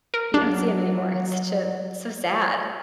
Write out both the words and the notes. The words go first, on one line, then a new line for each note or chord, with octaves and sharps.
You don't see 'em anymore. It's ju so sad.
A#4
F#3 D4